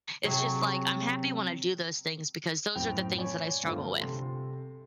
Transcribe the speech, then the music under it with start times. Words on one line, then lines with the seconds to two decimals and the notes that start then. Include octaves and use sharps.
it's just, like, I'm happy when I do those things because those are the things that I struggle with.
0.24 C3 F#3 G#4
2.75 F#2 A2 C4 G5 F7
3.18 C#5 D5 G#5 B5
3.63 G2 D3 F3 A3 F4 C5
4.01 C3 A4 C6